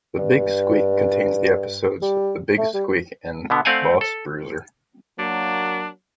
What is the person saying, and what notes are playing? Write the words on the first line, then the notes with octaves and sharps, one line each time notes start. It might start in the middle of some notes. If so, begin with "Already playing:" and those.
"The Big Squeak" contains the episodes "The Big Squeak" and "Boss Bruiser".
G2
G3
A3
G3
B2 D3 B3
A3 C4 D5 F5 F#5 G#5
A4
F#3 A#3 D4